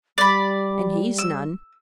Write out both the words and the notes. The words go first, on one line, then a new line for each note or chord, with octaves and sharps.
And he's none.
G3 D5 B5
E6